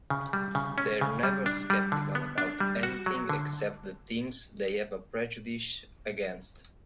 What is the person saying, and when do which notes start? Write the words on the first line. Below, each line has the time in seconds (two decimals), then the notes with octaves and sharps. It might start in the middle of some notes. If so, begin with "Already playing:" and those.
They're never skeptical about anything except the things they have a prejudice against.
0.10 C#3
0.33 G3
0.55 C#3
0.78 C#4
1.01 C#3
1.23 G3
1.46 D4
1.70 G3
1.92 D3
2.15 B3
2.38 D4
2.60 G3
2.83 F#4
3.06 F#3
3.29 D3